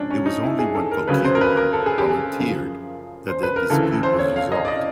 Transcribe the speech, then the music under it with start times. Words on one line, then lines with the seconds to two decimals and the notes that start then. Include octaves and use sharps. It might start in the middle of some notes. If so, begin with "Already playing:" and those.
It was only when Colquhuon volunteered that the dispute was resolved.
Already playing: G#2 F3 C#4 D4
0.10 C#4
0.26 D#4
0.43 E4
0.59 G#4
0.75 A4
0.91 A#4
1.08 D2 C#3 F#3 B4
1.24 C5
1.35 A#4
1.41 B4
1.57 A#4
1.73 A4
1.86 G#4
1.98 G4
2.10 G#4
2.39 F#2 C#3 F3
3.28 C5
3.43 B4
3.56 A#4
3.70 D2 C#3 E3 A4
4.03 C5
4.19 C#5
4.36 F5
4.52 D#5
4.65 D5
4.68 D#5